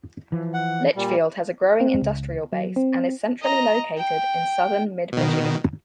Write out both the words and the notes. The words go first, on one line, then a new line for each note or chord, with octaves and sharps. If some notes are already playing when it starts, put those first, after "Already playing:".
Litchfield has a growing industrial base and is centrally located in southern Mid-Michigan.
E3 F3
F#5
A#2 G3
C4
C#2
F#3
C4
D#5 A#5
G5
B2 D#3